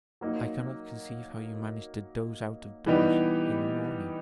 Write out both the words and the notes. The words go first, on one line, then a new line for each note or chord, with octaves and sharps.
I cannot conceive how you manage to doze out of doors, in the morning.'
F#3 A#3 D#4
E3 G3 B3 D#4 G4